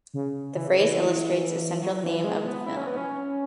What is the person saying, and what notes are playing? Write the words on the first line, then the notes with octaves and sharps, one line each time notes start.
The phrase illustrates a central theme of the film.
C#3
E3
C#3
E3
F#3
E3
G#3
B3
E4
C#4
B3
C#4